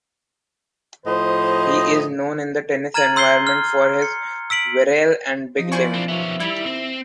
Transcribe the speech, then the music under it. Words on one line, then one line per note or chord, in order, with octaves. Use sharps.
He is known in the tennis environment for his virile and big limb.
A2 F3 C5 D#5
A#5 F6 G#6 A6 D#7 F#7
C6 E6 G6 C7 G7
F6
C#7
E6 B6 D7 F#7
F3 D#4
E4 A#4 C5 D5 G#5 C#6
C4 D4
D#3 B3 C#4 G4 E5
G3 E4
C4